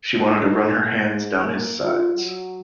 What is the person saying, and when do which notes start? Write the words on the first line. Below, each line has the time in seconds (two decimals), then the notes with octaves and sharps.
She wanted to run her hands down his sides.
0.15 D#4
1.01 G#2
1.41 A#3
1.83 F4
2.16 F#3